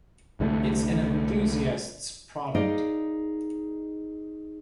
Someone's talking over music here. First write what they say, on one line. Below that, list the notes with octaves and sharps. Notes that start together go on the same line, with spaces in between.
It's an enthusiast's product.
C2 D3 F#3 A3
D#4 G#4 A#4 D5 D#5 F5